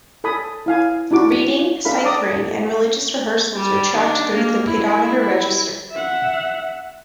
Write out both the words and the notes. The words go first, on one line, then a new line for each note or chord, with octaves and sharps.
Reading, Ciphering and Religious rehearsals were tracked through the paidometer register.
A4 G#5 B5 D#6
E4 F5 G#5
D4 E4 F#4 D6
D4 A4 A#4 E5 F5 B5
D5 A5 A#5 D6 D#6
G3
D#3 D4
A#3
E4
E5 F#5